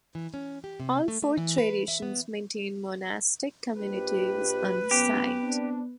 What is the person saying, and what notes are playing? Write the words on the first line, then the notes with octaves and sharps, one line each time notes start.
All four traditions maintain monastic communities on the site.
E3
C#4
G4
C3
A3
A3
E3
B4
E5
B3
A#1 G4 B4
F#2 B3 C#4 G4
C4 D4